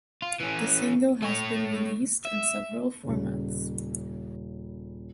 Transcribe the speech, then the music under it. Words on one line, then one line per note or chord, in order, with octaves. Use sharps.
The single has been released in several formats.
F4
E3 C#4
A3 C#5
E5
D#1 C#3